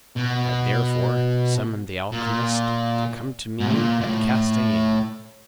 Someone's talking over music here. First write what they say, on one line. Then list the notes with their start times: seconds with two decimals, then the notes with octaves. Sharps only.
I therefore summoned the alchymist to come to me at Castellane.
0.16 B2
2.12 A#2
3.60 G#2
3.67 A2
3.74 A#2
4.01 A#2
4.06 A2